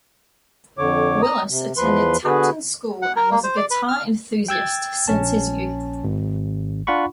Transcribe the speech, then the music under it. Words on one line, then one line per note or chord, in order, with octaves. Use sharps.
Willis attended Tapton School and was a guitar enthusiast since his youth.
F2 D3 C#5 D6
A#5 D#6
C3
E2 F3 B4 C6
D3 B3 F#4 G#4 B4
F#5
A#4
A#3
C5
D5
B4
F6
G5 E6 G#6 A6
A#1 C#4 A5
G#1
D4 F4 F#5 B5 C#6